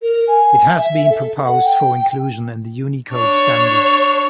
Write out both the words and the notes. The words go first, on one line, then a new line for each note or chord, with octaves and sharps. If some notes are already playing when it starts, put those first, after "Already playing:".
It has been proposed for inclusion in the Unicode Standard.
A#4
G#5
E5
A4
F#5
G5
D4 C#5